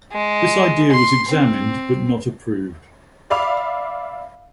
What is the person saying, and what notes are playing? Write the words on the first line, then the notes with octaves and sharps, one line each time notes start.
This idea was examined but not approved.
G#3
C6
C4
D5 E5 F5 B5 D6 F7